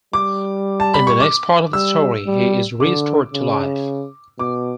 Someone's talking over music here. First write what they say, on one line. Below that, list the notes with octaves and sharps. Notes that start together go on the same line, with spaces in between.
In the next part of the story he is restored to life.
G3 D6
A5
B5
C#6
D6
G3 E6
G3
D3 D6
C#3
B2 D6